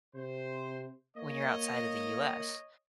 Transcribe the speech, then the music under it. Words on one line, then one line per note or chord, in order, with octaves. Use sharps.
when you're outside of the US.
C3 C5
A#3 C#5 D#5